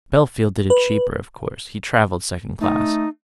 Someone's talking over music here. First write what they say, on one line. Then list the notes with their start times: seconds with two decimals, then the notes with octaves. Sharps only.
Bellfield did it cheaper, of course; he travelled second class.
0.70 B4
2.61 A3 D#4